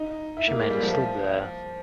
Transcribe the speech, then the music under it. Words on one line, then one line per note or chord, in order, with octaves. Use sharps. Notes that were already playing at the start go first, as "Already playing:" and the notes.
She made a slip there.
Already playing: D#4
E4
A#3
G#3
G3
F3